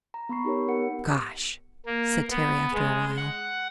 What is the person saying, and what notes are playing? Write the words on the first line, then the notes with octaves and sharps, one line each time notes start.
"Gosh!" said Terry, after a while.
A#5
B3 B5 C#6 C7
D#4 G4 A#4 C#5
B3 A#4 F#5 C#7
A#3
B3
G#3
F#5